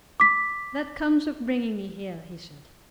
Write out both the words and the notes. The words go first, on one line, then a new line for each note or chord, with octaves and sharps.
"That comes of bringing me here," he said.
D6 B6